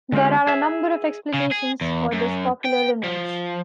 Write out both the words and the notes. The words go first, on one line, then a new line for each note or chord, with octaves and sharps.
There are a number of explanations for this popular image.
D3 G#3 C4 F4 G4
G#4 E5
C#3
G#4
E2
F#2
G5
F3